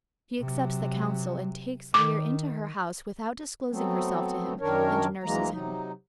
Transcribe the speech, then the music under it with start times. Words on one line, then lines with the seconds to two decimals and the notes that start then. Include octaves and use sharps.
She accepts the counsel and takes Leir into her house without disclosing herself to him, and nurses him.
0.40 C3 F#3
1.94 D#3 D6
3.71 F#3 A3 B3 C4
4.60 F#2 D#3 D4 A#4 C#5
5.23 D2 E3 F#3 G#3 A#3 A#5
5.52 C3 F#3 D#4